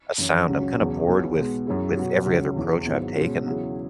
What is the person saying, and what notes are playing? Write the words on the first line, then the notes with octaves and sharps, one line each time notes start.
a sound. I'm kinda bored with with every other approach I've taken,
F#2 E3 C#4 E4
C#2 C#3 F#3 C#4
E1 E2 C#3 F#3
B1 B2 B3
B2 G#3 B3
F#2 F#3 C#4 E4 G#4
B2 F#3 B3 F#4
C#2 C#3 F#3
E1 E2 E3 B3
G#1 G#2 F#3 B3 E4
B2 G#3 C#4 F#4
E2 C#3 F#3 E4 G#4